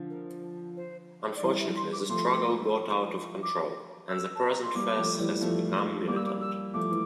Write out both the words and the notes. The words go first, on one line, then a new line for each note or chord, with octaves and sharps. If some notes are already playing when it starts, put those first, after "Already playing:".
Unfortunately, the struggle got out of control, and the present phase has become militant.
Already playing: D3 F3
A#4
C5
D5
E3 G3 C5
E5
C6
D6
F3 A3 C6
D6
E6
A5
A#5
C6
G3 A#3 D6
F3 A3
E3 G3
F3 A3
G3 A#3 D6
E6
D6
E6
F3 A3 D6
E3